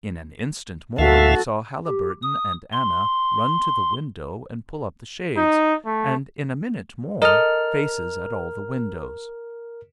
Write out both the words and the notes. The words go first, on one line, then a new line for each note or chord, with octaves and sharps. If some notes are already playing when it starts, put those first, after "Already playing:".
In an instant more we saw Haliburton and Anna run to the window and pull up the shades, and, in a minute more, faces at all the windows.
D2 F#4 A4 E5 F5
G4
D#6
C6
D#4
A3
A4 A#4 D#5 F6